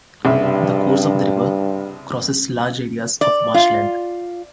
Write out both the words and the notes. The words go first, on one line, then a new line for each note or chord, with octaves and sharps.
The course of the river crosses large areas of marshland.
F#1 C2 G2 E5
D5
F4